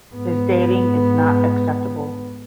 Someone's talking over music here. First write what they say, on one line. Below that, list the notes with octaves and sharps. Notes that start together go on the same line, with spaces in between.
His dating is not acceptable.
G#2 B3